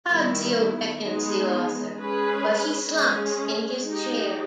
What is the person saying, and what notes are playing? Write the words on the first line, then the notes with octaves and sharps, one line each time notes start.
Tadzio beckons the author, but he slumps in his chair.
D#3 G3 B3 E4
G#3 B3 D#4 G#4
G#3 C#4 G#4 B4
G#3 C#4 G#4
G#3 D#4 G4